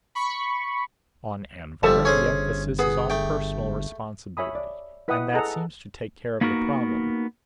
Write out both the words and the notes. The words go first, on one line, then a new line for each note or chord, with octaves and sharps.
On Anvhar the emphasis is on personal responsibility, and that seems to take care of the problem.
B5 C#6
G1 F3 G3 A4 E5 A5
C#4 G#4 C5
B3 G#4
A3 G5
C#5 E5 G#5 B5 D#6
D5
E4 B4 D#5 F#5 G5 D#6
G#4 A4 D#5 F#5 A#5
A#3 B3 D#4 F#4 A#4